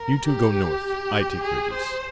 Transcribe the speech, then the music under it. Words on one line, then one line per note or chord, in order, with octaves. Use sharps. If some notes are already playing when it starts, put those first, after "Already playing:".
"You two go north--I take ridges."
Already playing: A#4
G4
G#4
C5